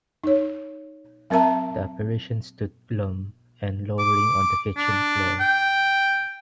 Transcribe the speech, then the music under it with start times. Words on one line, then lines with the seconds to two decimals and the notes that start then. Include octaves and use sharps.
The apparition stood glum and lowering on the kitchen floor.
0.24 D#4 C#5
1.30 F#3 C4 A#4 E5 A5 A#5
3.99 D6
4.77 D4
5.40 G5